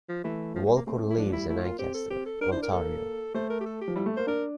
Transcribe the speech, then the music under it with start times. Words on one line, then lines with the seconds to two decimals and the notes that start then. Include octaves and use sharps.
Walker lives in Ancaster, Ontario.
0.09 F3
0.24 E3 A3
0.55 F3
0.66 G3
0.76 A#3
0.86 A3 C4
1.10 E4
1.17 F3 D4
1.26 A3
1.32 G3 E4
1.49 A3 E4
1.64 A#3 F4
1.79 C4 G4
1.94 A4
2.10 C4 G4
2.26 A4
2.41 D4 A#4
2.51 E4 C5
2.57 D4
2.62 A#4
2.72 A#3 A4
3.34 A3 C5
3.50 A#4
3.60 G4
3.66 A4
3.81 G4
3.88 F3
3.96 G3 E4
4.06 A3
4.17 A#3 C5
4.27 D4 A#4